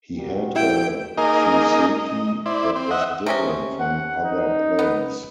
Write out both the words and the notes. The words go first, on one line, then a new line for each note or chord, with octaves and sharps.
He had a fuseki that was different from other players.
A#2 F#4 G4
E4 G5
A#3 D#4 G#4 A#4 D#5
D#5
E4 C5 D5
C4
D#5 E5 F#5
C3 C#4 D#5
F#5
D#4
B3